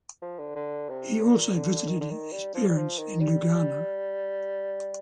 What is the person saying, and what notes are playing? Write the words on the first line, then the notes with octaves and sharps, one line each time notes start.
He also visited his parents in Lugano.
F3
D3
D3
C3
A#2
D3
D#3
D3
D#3
G3
F3
G3
F3
D#3
G3
G3